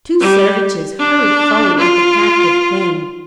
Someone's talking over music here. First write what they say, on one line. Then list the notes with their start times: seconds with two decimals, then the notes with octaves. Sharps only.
Two servitors hurried forward with the captive King.
0.21 G3
0.99 D4
1.78 F4